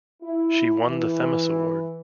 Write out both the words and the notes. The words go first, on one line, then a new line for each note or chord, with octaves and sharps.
She won the Themis Award.
E4
E3